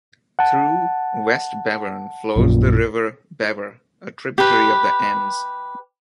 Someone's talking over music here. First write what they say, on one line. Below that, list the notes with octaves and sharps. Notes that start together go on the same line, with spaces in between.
Through Westbevern flows the river Bever, a tributary of the Ems.
F#5 A5
A#1 F#2 A#2
G4 B4